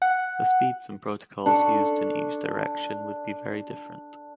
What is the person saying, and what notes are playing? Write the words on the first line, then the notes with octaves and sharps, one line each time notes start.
The speeds and protocols used in each direction would be very different.
F#5
D4 A4 C#6